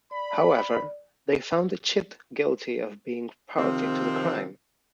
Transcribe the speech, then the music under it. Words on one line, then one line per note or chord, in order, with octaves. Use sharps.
However, they found Chit guilty of being party to the crime.
D5 B5
C3 D#3 F3 C4